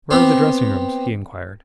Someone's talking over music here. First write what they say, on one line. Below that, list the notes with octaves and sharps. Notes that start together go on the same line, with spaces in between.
"Where are the dressing rooms?" he inquired.
B3 C4 G4